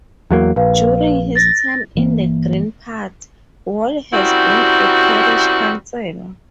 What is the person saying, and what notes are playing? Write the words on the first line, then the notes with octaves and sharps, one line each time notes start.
During his time in the Green Party, Wall has been a Parish Councillor.
E2 F#3 A#3
A#1 B4 F5
A6 A#6
G1 E3 A#3
F#2 G3 C4 E4 F#4